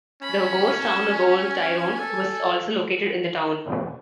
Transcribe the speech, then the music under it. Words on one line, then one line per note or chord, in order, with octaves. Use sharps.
The ghost town of Old Tyrone was also located in the town.
C#4 B5
A5
G#5
G#5
A4